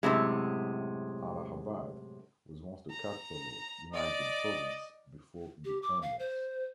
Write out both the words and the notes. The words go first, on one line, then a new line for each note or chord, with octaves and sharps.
Allahabad was once the capital of United Province before independence.
F#2 A2 C3 G#3
A#5
D5 D#5
G4
D6
F5
C5